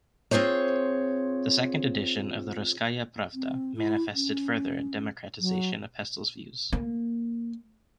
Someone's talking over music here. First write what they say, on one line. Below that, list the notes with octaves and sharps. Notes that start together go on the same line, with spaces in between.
The second edition of the Russkaya Pravda manifested further democratization of Pestel's views.
C4 F4 G#4 C5 C#5
C4
E4
C#4
F#3
A#3